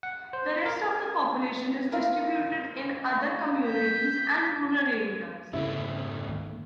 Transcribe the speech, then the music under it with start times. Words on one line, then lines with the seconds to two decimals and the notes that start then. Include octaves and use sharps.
The rest of the population is distributed in other communities and rural areas.
0.03 F#5
0.33 C5
0.66 A#4
1.92 E4 F4 A#4
3.66 G6 B6
5.53 G#2 C#3 A3 B3 E4
6.28 D#2